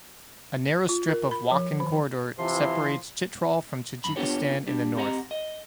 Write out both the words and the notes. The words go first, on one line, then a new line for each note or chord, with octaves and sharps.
A narrow strip of Wakhan Corridor separates Chitral from Tajikistan in the north.
F4
A#4
B5
F3
D#3
C3 E3 F3 C6
F#2 B5
B3 D4 F4 G4 B4 C#5
G3 D4
C4 G4 D#5 F#5 A#5
D#5